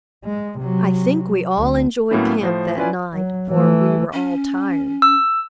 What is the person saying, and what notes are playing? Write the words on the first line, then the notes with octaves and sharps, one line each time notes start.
I think we all enjoyed camp that night, for we were all tired.
G#3
C3 F#3
D2
A2 F#3 A#3 B3 C#4 E4
A2 F3 C5
C#4 E4 F4 B4 D5 G#5
F#3
E3 A3
C#4
E6